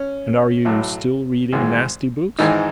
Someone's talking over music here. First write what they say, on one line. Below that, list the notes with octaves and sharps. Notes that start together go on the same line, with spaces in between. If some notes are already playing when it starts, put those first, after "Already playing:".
"And are you still reading nasty books?"
Already playing: C#4
B1 A2 F#3
G#1 G#2 E3 G#3
G#1 G#2 E3 G#3 D#4